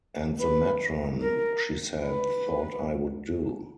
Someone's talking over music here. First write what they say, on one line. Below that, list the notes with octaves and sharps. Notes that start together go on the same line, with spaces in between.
And the matron she said thought I would do.
B4
A#4
B4